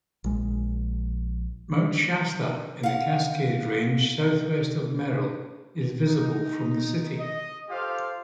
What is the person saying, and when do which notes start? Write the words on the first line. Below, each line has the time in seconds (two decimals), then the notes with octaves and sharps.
Mount Shasta in the Cascade Range southwest of Merrill, is visible from the city.
0.24 A#1 G#3
2.83 F5 F#5
6.06 D#4
7.18 D#5
7.69 F4 G4 A4 C5 F5